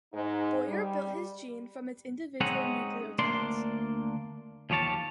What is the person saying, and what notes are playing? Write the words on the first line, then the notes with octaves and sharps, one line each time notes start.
Boyer built his gene from its individual nucleotides.
G#2 D#4
G3
G#3 C4 C#4 D#4 C#5 F#5
D2 A#3 D4 D5 C6
D#2 F3 G4 C#5 A5